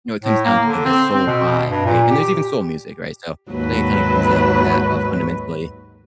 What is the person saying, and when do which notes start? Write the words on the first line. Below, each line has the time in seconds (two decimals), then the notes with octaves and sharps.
you know, it comes down to the soul vibe, right? And there's even soul music, right? So I think it kind of comes down to that, uh, fundamentally.
0.23 A2
0.45 A#3
0.64 D3
0.85 C4
1.14 C4
1.27 B2
1.69 G2
1.85 A#2
2.10 G4
3.50 D#2 G#2 F#3 B4